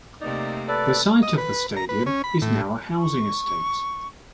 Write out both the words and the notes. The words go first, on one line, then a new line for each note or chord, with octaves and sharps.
The site of the stadium is now a housing estate.
C3 A3 A#3 D#4 D5
A4 B4 D5
D#5
B4
A#5
B4
C#4
B5
A2
C#6